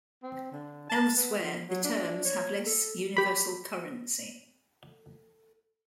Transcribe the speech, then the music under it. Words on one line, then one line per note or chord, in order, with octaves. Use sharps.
Elsewhere, the terms have less universal currency.
C4
D3
A5
B3
F3
F#3
D4
C#5
A4
G4 B5